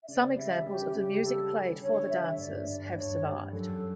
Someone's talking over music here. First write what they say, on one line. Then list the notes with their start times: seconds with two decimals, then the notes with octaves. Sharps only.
Some examples of the music played for the dancers have survived.
0.04 E5
0.08 C#3 D5
0.37 G3 E5
0.66 C#4 G4
0.95 C#3 G4
1.23 G3 A4
1.52 C#4
1.81 D3 C#5
2.10 D3 E5
2.38 G2 D5
2.66 G2 D5
2.96 G2 C#5
3.24 G3
3.53 F#2 A4